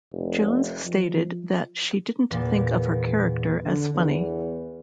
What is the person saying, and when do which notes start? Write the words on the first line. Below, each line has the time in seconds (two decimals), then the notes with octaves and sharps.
Jones stated that she didn't think of her character as funny.
0.12 F1
0.86 F3
2.31 E2 A#2
3.65 D3
3.94 E2